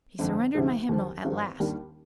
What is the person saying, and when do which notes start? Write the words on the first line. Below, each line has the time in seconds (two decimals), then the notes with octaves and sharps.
He surrendered my hymnal at last.
0.19 G1 F2 D3
0.54 D2 C3 F3 G#3 D#4
0.89 D#2 D3 F3
1.25 G#1 G2 F3 G#3
1.60 D#2 D#3 G3 A#3 D4